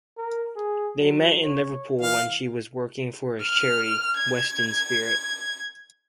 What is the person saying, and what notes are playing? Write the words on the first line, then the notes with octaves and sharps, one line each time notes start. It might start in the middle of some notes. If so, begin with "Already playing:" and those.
They met in Liverpool when she was working for his charity, Weston Spirit.
A#4
G#4
F#3
C#5
E3 F5
F6
G#6